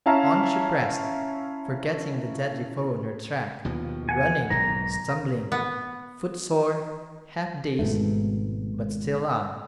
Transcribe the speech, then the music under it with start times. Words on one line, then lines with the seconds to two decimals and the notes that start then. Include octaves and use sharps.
On she pressed, forgetting the deadly foe on her track, running, stumbling, foot-sore, half-dazed, but still on . . .
0.06 C#4 E4 F5 A5 A#5
3.65 D#2 B2 F3
4.09 F#5 G#5
4.50 B1 G#2 D#3 A#5
5.52 B3
7.79 G#1 G#2 B2 A3